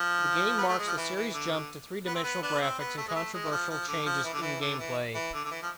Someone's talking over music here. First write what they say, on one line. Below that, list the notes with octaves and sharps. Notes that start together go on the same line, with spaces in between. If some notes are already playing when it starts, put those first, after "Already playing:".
The game marks the series' jump to three-dimensional graphics and controversial changes in gameplay.
Already playing: F3
B3
A3
G#3
F3
E3
E3
D3
D3
B3
C4
B3
B3 D4
C4
B3
A3
G#3
A3
G#3
E3
F3
F3
D3
F3
E3
D3
E3
D3
E3
E3
D3
D3
E3
F3